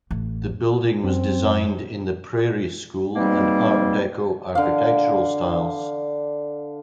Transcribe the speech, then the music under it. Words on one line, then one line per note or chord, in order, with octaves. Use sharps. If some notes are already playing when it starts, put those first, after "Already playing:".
The building was designed in the Prairie School and Art Deco architectural styles.
A1
F#2 C4
G#2 B2 G3 A#3 C4 D#4
D3 F5